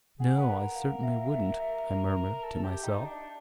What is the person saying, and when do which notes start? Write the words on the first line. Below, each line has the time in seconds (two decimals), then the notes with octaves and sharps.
"No, I certainly wouldn't," I murmured to myself.
0.20 G#4 F#5
0.38 B4
0.49 A#4
0.75 F5
1.03 E5
1.32 E5
1.60 E5
2.43 A4
2.64 G4
2.84 D#4
3.05 D4